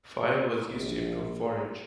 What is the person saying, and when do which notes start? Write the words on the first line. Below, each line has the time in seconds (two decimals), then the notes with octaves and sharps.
Fire was used to improve forage.
0.69 A#1